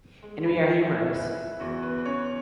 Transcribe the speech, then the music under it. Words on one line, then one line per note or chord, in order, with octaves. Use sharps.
And we are humorous.
G#3
B5
E4 G#5
E5
E4 B4
E2 F#4
B4
B4
C#4 C#5